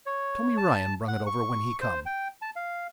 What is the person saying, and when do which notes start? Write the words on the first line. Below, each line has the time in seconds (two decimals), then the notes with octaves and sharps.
Tommy Ryan brung it over when he come.
0.06 C#5
0.57 A5
1.08 F#5
1.27 C#6
1.81 C5
2.06 G5
2.42 A5
2.56 F5